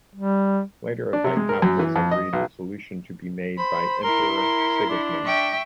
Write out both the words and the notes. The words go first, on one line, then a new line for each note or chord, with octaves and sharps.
Later Vytautas agreed the solution to be made by Emperor Sigismund.
G3
D4
C3
G#3
A#4
F#2
E3
F2
D#5
B1
C5 B5
E4 A#4 C6
A#4
D4
E5 G5 C#6